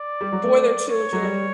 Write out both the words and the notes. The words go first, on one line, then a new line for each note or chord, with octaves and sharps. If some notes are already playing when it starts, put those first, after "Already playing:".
For their children
Already playing: D5
G3
F#3
A3
C#5
F#3
G3